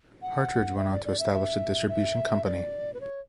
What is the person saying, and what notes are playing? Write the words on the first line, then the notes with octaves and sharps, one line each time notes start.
Hartridge went on to establish a distribution company.
F#5
E5
D5
D5
E5
E5
E5
D5
B4
C#5